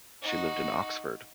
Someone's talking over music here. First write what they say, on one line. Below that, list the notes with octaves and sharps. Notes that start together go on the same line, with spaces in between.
She lived in Oxford.
D#4 F#4